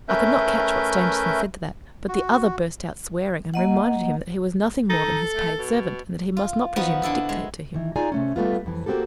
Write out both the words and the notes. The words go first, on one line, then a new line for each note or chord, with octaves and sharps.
I could not catch what Stangerson said to that, but the other burst out swearing, and reminded him that he was nothing more than his paid servant, and that he must not presume to dictate to him.
A3 C#4 A#4 B4 E5 G6
F#4
A#3 D#5 F#5
D#4 A4
A3
B2
F4
F3 B3 D#4 F#4
D3 E4 A4
G#3
D#3 E3
D#4 F4 G#4 D5 G#5 A#5
C3 A3 C#4
G3 A3 B3 F4
F2 E3
A#3 C4 F#4 G4 A4